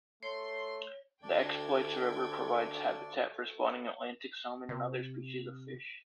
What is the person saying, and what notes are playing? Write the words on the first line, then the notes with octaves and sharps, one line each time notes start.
The Exploits River provides habitat for spawning Atlantic Salmon and other species of fish.
A3 C#5 C6
D2 A3 D4 D5 G5 G#6
C3